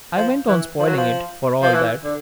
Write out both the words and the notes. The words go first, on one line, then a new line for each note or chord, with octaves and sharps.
I went on spoiling it, for all that.
F3
E3
F3
F#3
F3
F3
E3
D3